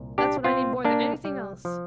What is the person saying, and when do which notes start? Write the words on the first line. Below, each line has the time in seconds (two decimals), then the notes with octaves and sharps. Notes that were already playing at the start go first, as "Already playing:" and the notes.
That's what I need more than anything else.
Already playing: C2 A#2
0.18 D4 G4
0.44 C4 F4
0.85 A#3 D4
1.25 G3
1.65 F3